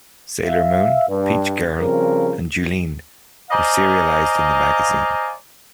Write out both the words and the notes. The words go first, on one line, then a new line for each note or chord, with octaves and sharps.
"Sailor Moon", "Peach Girl", and "Juline" were serialized in the magazine.
E5 F5
G2
C#3 F3 G3 C4 A#4
C5 D5 D#5 F5 G#5 A#5